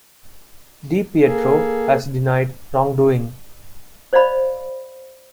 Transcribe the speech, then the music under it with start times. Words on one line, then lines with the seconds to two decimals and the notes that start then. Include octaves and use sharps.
Di Pietro has denied wrongdoing.
1.24 A#3 G#4 A4
4.13 C5 D5 D#5 F5 B5